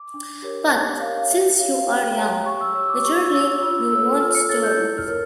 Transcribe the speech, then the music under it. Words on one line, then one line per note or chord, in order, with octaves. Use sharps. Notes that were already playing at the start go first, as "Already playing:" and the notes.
But, since you are young, naturally you want storms.
Already playing: D6
D4
G4 A#4 C#5
D4
G4 A#4 C#5 F5
G4 E5
C#5 F5
G4 G5
C#5 A#5
G4 C#6
E6
C#5 E6
D6
G4 C#6
C#5 E6
F4 E6
A4 C#5 E6
F4 F6
C#7
A4 C#5 A6
G6
E4
F6
A#4 C#5